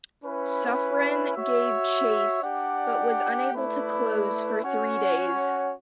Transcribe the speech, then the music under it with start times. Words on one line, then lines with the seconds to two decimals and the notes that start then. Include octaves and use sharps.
Suffren gave chase, but was unable to close for three days.
0.24 C#4 E4 B4
1.34 F#4 C#5 E5
2.43 D4 G4 D5 F#5
3.53 A3 E4 B4 D5
4.62 C#4 F#4 C#5 F#5